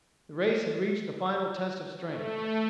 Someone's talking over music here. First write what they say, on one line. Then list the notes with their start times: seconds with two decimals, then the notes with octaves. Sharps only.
The race had reached the final test of strength.
2.05 A3